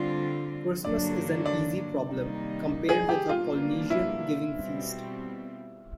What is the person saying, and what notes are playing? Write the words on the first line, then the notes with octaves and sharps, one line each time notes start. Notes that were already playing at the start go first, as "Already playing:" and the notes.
Christmas is an easy problem compared with a Polynesian giving-feast.
Already playing: D3 G3 C4 F4
G2 D3 F#3 A#3 D4 D5
D5
C3 D#3 G3 A#3 D#4
G#4
G4
B2 G3 A#3 D4 F4
E4
B2 G3 C4